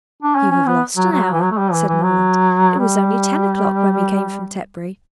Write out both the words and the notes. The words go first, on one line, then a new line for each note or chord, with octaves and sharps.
"You have lost an hour," said Morland; "it was only ten o'clock when we came from Tetbury."
D4
C#4
C#4
B3
F#3
F#3
E3
F#3
A3
G3
E3
E3
F#3
G3